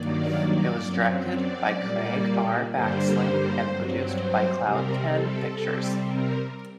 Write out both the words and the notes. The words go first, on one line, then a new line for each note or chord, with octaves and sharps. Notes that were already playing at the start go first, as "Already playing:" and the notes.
It was directed by Craig R. Baxley and produced by Cloud Ten Pictures.
Already playing: G2 D#3 F#3 A#3 D5
F#2 F#3 C4
D5
A#2 G3 A#3
G2 D3 G3 A#3 C5
G2 F#3 C4
C5
C3 G3 C4 A#4
A4
C3 G3 C4
A#4